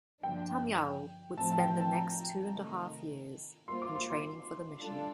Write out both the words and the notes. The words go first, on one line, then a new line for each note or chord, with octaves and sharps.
Tamyao would spend the next two and half years in training for the mission.
G2 D3 F3 A#3 D4 G5
A2 F3 A3 C4 A5
A5
G5
A5
A5
A#5
C3 D#3 A3 D#4
G3 A#3 F4 C5 C6
D6
C6
C6
G3 D4 F4 A4